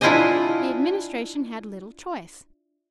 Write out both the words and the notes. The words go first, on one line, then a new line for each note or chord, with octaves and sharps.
The Administration had little choice.
D4 E4 F4 C5 D#5 G#5